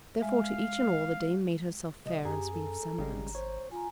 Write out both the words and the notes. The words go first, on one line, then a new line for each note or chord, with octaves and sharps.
Therefore to each and all, the dame made herself fair and sweet of semblance.
G#3 E5 F5
C2 D#5
F#2 G4 G#4 A#5
A4
G#1 C#3 G3 G#3
C5 C#5
F4 G#5 A#5